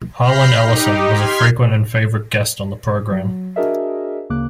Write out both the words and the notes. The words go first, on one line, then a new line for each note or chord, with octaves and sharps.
Harlan Ellison was a frequent and favorite guest on the program.
B5 F6 G6 A#6 C7
D#4 G4
C6 F6 G#6 B6
F#3
D4 F#4 G#4 A#4 D#5 E5
D2 C#3 A#3 D6 F#6